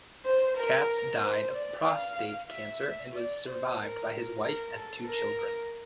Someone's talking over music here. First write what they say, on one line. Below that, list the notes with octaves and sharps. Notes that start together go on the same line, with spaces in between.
Katz died of prostate cancer and was survived by his wife and two children.
C5
A#4
C5
D5
F5
E5
D5
C5
A#4
A#4
A4
A#4